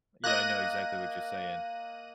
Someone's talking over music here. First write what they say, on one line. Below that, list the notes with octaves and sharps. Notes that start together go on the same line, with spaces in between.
Yeah, I know exactly what you're saying.
A#3 D#5 F#6 A#6 D#7